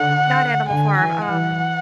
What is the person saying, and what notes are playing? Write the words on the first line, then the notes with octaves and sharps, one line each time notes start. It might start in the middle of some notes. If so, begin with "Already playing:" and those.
not Animal Farm, um
Already playing: D3 F#5
D3 G#5
E3 G#5
E3 F#5